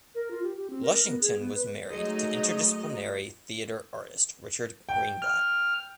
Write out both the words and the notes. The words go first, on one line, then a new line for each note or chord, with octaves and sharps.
Lushington was married to interdisciplinary theatre artist Richard Greenblatt.
A#4
F4
G4
G4
C4
A#4
A#4
B3
G#4
B3
B4
F#3 G#3 A3 D#4 F#4 D#5
G5
F6